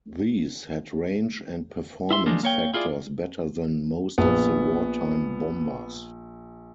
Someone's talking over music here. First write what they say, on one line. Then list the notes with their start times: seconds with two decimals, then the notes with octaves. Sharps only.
These had range and performance factors better than most of the wartime bombers.
2.11 E4 E5 C6
2.26 E3 F3 G#3 A#3 D4
2.43 A#3 C#5 G5
2.74 E4 F4 G#4 B4 D5
4.18 A#1 B3